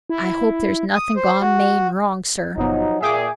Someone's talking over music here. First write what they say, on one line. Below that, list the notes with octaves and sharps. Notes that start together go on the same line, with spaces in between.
I hope there's nothing gone main wrong, sir.
E4
D#6
C5
F#4
G1 B2 F3 F#3 D#4
A#2 G#4 E5 G5 D6